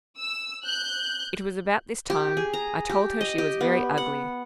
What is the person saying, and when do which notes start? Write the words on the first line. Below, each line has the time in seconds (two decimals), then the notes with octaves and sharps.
It was about this time I told her she was very ugly.
0.18 E6
0.64 F#6 G6
2.10 G4
2.37 G#4
2.54 A#5
2.89 G4
3.21 D#5
3.38 G4
3.61 B3
3.98 F#5